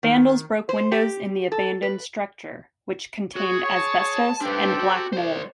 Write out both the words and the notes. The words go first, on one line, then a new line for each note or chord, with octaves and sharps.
Vandals broke windows in the abandoned structure, which contained asbestos and black mold.
D#3
C5
G4
A4
B4
F#4 G#4 C#5
A5
C4 D4 G4 A4 B4
F#4
C5 D5